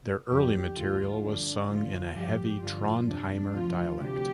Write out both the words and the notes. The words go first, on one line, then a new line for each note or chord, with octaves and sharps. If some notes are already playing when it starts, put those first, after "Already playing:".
Their early material was sung in a heavy Trondheimer dialect.
F2 D3 F3 G4
D2 D3 F3 F4
G2 D3 F3 D4
D2 D3 F3 F4
G2 F3 G4
G2 D3 F3 F4
F2 C3 F3 D4
D2 C3 F3 F4
D2 C3 F3 G4